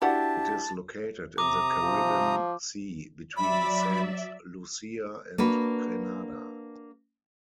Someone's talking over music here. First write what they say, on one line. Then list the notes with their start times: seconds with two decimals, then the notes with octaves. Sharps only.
It is located in the Caribbean Sea, between Saint Lucia and Grenada.
0.02 D4 E4 F#4 G4 D5 F#5 A5
1.38 C3 A#5 D6 D#6
1.83 F3
3.37 F#3 D5 E5 B5
5.38 A#3 D4 F#4 B4